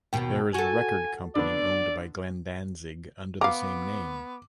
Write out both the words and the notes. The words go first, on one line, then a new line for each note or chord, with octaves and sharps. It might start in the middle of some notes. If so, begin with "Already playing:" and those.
There is a record company owned by Glenn Danzig under the same name.
D#2 B2 G5
F#4 A4 G#5
D3 B3 D4 D5
B3 F5 A#5 D6